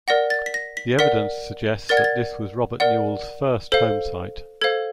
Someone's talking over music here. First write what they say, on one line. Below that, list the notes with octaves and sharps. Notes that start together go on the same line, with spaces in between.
The evidence suggests that this was Robert Newell's first homesite.
A#4 D5 F#5 A#6
A6
B6
A#6
B6
A#4 D5 F#5 B6
A#4 D5 F#5 A6
G#6
A6
A#4 D5 F#5
A4 C5 F5
A4 C5 F5 G#6